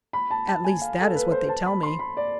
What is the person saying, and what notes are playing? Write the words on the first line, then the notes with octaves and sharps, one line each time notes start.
At least that is what they tell me.
B5
A5
A5
G#5
F5
A4
B4
C5
A5
B5
C6
B5
D5